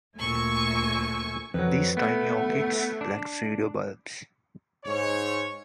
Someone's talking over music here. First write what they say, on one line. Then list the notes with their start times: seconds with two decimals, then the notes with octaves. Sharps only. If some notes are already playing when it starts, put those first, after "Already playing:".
These tiny orchids lack pseudobulbs.
0.15 D2 A#2 A3 G#5 C#6 E6
1.54 F2 F#3 B4
1.97 A3 B3
3.01 D4
4.85 G#2 C#5